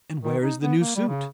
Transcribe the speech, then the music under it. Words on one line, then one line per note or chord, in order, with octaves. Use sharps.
"And where is the new suit?"
D#3
D#4
B3
A#3
G3
C#3